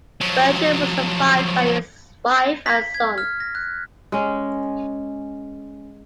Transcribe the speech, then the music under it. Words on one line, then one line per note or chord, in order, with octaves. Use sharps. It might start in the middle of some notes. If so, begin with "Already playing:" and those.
Spurgeon was survived by his wife and sons.
F3 F#3
B6
G#6
F6
A#6
F#6
G#3 C#4